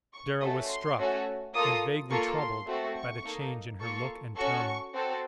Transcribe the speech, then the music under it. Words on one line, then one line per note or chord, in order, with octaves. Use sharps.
Darrow was struck, and vaguely troubled, by the change in her look and tone.
C#6
A3 C#4 F#4 A4 D#6
C6
A3 C#4 F#4 A4
A#3 F4 A4 D#6
A#3 F4 A4 C#6
C6
A3 C4 F#4 A4
C#6
A#3 D#4 A4
A#3 F4 A4 C#6
C#4 F#4 A4 C#6
C4 F#4 A4